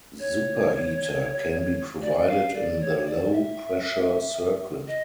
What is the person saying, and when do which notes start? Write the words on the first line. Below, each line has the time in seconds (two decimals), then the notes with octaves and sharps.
Super heater can be provided in the low pressure circuit.
0.19 C#5
2.01 D5
2.28 F5
2.54 D5
2.80 C#5
3.06 D5
3.32 E5
4.87 D#5